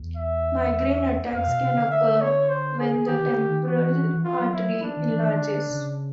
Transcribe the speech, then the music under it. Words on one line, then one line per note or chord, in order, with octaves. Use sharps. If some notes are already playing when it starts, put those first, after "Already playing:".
Migraine attacks can occur when the temporal artery enlarges.
Already playing: E2
E5
F2 F5
B2
C3
D3
E5
C#5
C5
G#4
D#3 G4
D#3
D3
D#3
E3 F#4
E3
F3 F4
F#3
F#3 E4
F3
D4
D#3
E3
D#3
D3
C#3